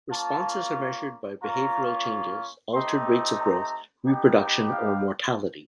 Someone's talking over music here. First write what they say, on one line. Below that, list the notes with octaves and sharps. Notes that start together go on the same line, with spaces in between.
Responses are measured by behavioural changes, altered rates of growth, reproduction or mortality.
A#3 C#4 F4 A5
A#3 C#4 F4 A#5
A3 C4 D#4 G4 C6
A#5
B3 D#4 G4
F5